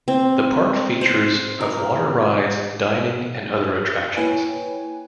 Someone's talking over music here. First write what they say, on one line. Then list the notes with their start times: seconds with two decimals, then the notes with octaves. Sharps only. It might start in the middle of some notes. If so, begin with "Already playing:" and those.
The park features of water rides, dining, and other attractions.
0.08 C4
1.01 C5
1.60 A#4
4.17 A#3 E4 B4 C#5 G5 G#5